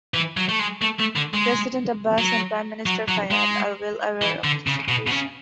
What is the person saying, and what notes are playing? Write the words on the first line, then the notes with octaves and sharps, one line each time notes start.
President Abbas and Prime Minister Fayyad are well aware of the situation.
E3
F#3
A3
G#3
A3
A3
D3
G#3
F#3
F#3
F#3
G#3
E3
D3
C#3
B2
B2
C#3